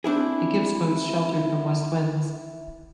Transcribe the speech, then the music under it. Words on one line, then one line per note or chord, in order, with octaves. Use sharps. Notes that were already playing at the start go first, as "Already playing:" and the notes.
It gives boats shelter from west winds.
C4 D4 E4 G#4